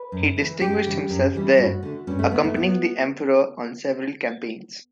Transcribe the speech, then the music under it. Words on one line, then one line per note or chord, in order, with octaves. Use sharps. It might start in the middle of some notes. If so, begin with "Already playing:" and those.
He distinguished himself there, accompanying the Emperor on several campaigns.
Already playing: B4
F#2
E3 A3
F#2 G4
C#3 E3 G3
F#2
C#3 E3 G3
G2 F#4
D3 A3
G2 C#4
A3
D3 A3 B3
A3
B3